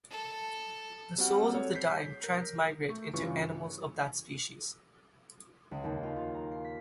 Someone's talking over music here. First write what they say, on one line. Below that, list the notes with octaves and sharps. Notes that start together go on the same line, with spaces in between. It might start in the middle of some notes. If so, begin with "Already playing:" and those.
The souls of the dying transmigrate into animals of that species.
A4
G3 C4 F#4 F#5 F6
G#4 A4 C#5
G6 B6 C7
A#4
A3 C#6
G2 C#3 E3 F4 C#6
C#2
D#2
F4
F4
A#5
C7
B6